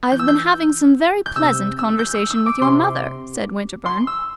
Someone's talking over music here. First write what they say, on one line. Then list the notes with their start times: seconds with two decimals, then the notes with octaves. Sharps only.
"I have been having some very pleasant conversation with your mother," said Winterbourne.
0.12 E3 G6
0.19 E6
0.28 G6
1.26 G6
1.36 C3 E6
1.79 E6
1.99 G6
2.15 E6
2.30 E6
2.46 D6
2.61 C3 C6
3.86 C6
4.07 E6